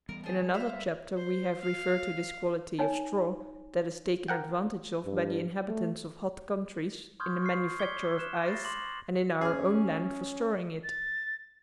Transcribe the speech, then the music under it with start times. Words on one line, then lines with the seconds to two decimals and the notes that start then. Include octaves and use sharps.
In another chapter we have referred to this quality of straw, that is taken advantage of by the inhabitants of hot countries in the manufacture of ice and in our own land for storing it.
0.09 E3 G3 B3 A#4
0.24 G#4 G5 A5
0.42 G3
0.54 C5 E5 F5
1.17 C5
1.61 F5
2.79 D#4 C#5 G#5
4.28 A#4 F#5 G5
5.05 G2
5.68 A3
7.20 C6 C#6 D#6 F6 G6 G#6
7.43 C#6 F6 C7
7.79 D6 G#6 B6 C#7 G7
8.17 F6 F#6 E7
8.46 B5 A6 A#6 C7
8.65 C6 D6 A#6 F#7
9.41 C#4 G#4 F6
10.84 A6